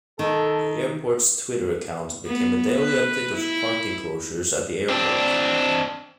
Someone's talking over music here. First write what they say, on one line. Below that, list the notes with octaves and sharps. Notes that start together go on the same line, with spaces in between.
The airport's Twitter account became a daily update of parking closures at the airport.
D#3 A4
B3
B4
E4
C4 D4